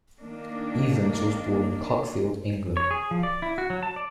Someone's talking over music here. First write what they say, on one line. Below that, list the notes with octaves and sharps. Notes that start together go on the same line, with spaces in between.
Evans was born in Cuckfield, England.
D#3 A#3 D4
C#5
G#4
F3
D5
E4
F#4
F#3
A5
D5